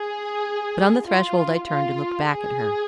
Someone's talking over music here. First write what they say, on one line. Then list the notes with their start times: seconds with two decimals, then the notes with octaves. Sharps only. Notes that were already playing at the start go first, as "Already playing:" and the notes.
But on the threshold I turned and looked back at her.
Already playing: G#4
1.06 F4
1.67 F4
2.27 G#4